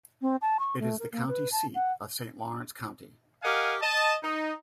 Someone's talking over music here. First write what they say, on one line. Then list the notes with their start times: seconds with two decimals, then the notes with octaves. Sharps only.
It is the county seat of Saint Lawrence County.
0.22 C4
0.42 A5
0.59 C#6
0.80 A3
0.99 A#4
1.12 A#3
1.28 B4
1.52 A5
1.75 F#5
3.43 G4 A#4 D#5 F5 F#5 G#5
3.81 D#5 A5
4.23 D#4